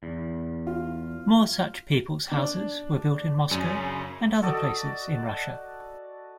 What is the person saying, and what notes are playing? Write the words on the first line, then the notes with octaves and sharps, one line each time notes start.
More such People's Houses were built in Moscow and other places in Russia.
E2
F4
D4
F#2 C#3 D#7
F#4 A4 D5 D#5